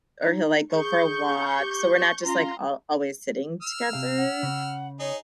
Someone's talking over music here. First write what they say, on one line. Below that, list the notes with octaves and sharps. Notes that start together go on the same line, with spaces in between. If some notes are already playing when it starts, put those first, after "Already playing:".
or he'll, like, go for a walk. So we're not just, like, al always sitting together,
D#4
G#4 C#6 G6
G4
C#4 F4 A#5 C6
E6 F6
C3 F5
F#5
C#3
D#4 G#4 C#5